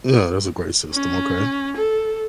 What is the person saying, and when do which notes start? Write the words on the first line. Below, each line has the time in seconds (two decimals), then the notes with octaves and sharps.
Yeah, that's a great system, okay.
0.93 C#4
1.76 A4